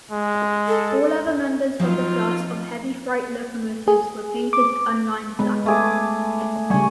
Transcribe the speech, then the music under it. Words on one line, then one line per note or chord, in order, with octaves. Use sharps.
All other members of the class of heavy freight locomotives were painted unlined black.
G#3
A4
F3 F#3 C4 D#4 F4
G#4
D6
G#3 B3 B4
A3 G#4 D6
C#3 G3 G#5 C#6